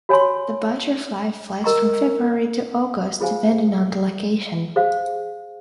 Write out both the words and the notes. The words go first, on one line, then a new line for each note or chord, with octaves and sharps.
The butterfly flies from February to August depending on the location.
F#4 C#5 G#5 C6
A#4 D#5 A#5 C#6
F4 G#4 C5 F5 G#5
G#4 C5 F5